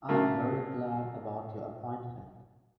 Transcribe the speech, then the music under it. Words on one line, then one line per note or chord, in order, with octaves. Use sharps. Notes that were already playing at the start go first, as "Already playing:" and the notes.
I'm very glad about your appointment.
C#3 F#3 A3 A#3